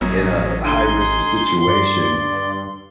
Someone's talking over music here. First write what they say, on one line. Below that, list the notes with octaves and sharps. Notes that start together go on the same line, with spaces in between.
in a high risk situation
A1 F#2 F#3 C#5 D#5
D3 D#4 G#5 C6
G2 D5